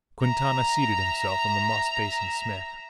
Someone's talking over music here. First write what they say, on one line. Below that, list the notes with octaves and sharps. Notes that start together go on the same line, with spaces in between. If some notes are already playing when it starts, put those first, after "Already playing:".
Quintana seated himself on the moss, facing Smith.
E5 A#5